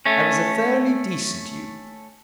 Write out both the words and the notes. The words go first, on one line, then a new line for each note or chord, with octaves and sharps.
I was a fairly decent youth.
A3 C#4